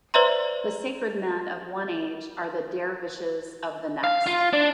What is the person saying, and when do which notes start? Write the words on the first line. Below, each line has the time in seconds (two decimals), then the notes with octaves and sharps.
The sacred men of one age are the dervishes of the next.
0.14 B4 C5 D5 E5 A#5 C6
4.04 F5
4.27 F4
4.53 D4